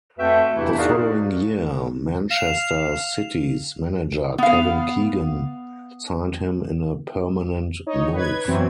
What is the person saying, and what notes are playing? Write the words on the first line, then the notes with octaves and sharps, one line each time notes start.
The following year Manchester City's manager Kevin Keegan signed him in a permanent move.
F2 A3 F#4 B4 E5 G5
E2 G2 C3 E3 A3 E4
D#4 F#4 G#4 A#4 D5 F5
F5 E7 F7
B3 F5
D#4 C#5
B4 G#6
F#2 B2 E3 F#3 C4